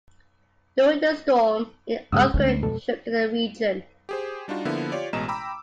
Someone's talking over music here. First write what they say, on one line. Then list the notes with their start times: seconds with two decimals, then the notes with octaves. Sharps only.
During the storm, an earthquake shook the region.
2.12 G2 C#3 G#3 D#6 E6
2.34 D2 G#3 C#4
2.62 F2 B2 A4
4.09 G4 G#4 C5
4.48 G3 D4 D#4 F4 F#4
4.65 D3 F3 A#3 B3 E4
4.92 F4 G4 C#5 D5
5.13 A1 B2 G#3 D#5 A#5 E7
5.28 G5 A#5 B5 D6 E6